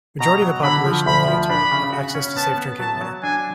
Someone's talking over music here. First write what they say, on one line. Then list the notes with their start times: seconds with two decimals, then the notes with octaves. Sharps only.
Majority of the population of the atoll have access to safe drinking water.
0.20 B2 A#5
0.42 F#3
0.63 D3 B5
0.85 F3
1.06 D2 B5
1.28 F3
1.50 D4 B5
1.71 C#3
1.93 F#4
2.15 C#4
2.37 B3 A5
2.57 B3
2.80 F#3 A5
3.01 F#3
3.23 D4 G#5